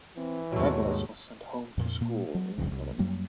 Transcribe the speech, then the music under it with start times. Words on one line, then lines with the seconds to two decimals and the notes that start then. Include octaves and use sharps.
Douglas was sent home to school in England.
0.17 E3 C4
0.52 D#2 G#2 B2 F#3 G#3 A3 C#5
1.77 F2 A#2
2.01 A#2 A#3
2.35 F#3
2.58 F1 C2 F2 C#3
2.72 C2
2.99 F#2 F#3 G3 A#3